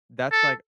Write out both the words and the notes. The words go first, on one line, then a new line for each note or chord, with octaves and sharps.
That's, like
A4